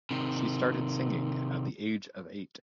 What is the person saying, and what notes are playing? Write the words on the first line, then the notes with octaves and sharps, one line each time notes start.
She started singing at the age of eight.
C3 D#3